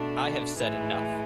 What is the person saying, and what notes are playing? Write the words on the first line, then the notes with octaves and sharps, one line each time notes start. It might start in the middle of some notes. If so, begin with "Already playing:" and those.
I have said enough.
Already playing: B2 A3 D4
A2 E3 G#3